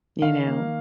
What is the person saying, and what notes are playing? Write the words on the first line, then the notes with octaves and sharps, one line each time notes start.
You know?
D#3 F5
A#3